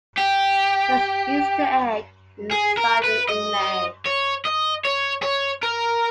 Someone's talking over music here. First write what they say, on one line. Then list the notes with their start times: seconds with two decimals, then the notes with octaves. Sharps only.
There is an easter egg inside the inlay.
0.18 G4
2.51 G#4
2.78 A#4
3.04 B4
3.29 D#5
4.06 C#5
4.45 D#5
4.85 C#5
5.23 C#5
5.63 A#4